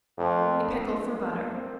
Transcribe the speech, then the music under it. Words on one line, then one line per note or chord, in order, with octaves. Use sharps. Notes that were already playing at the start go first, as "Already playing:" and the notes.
A Pickle for Butter.
F2 A3
A#3
C4
D4
A#3
A#3
A#3
C4